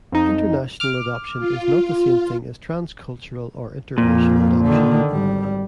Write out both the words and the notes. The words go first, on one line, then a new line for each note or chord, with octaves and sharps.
International adoption is not the same thing as transcultural or interracial adoption.
F2 D#4
D6 F6
F4
F2 A#2 F3
D3 D#3
G#1 G3